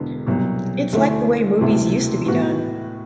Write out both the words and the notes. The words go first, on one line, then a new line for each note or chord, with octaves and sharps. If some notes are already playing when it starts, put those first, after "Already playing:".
It's like the way movies used to be done.
Already playing: E1 E2 D3
C2 B2 F#3
D2 D3 A3 E4
E1 D2 C3 E3
A2 E3 B3 F#4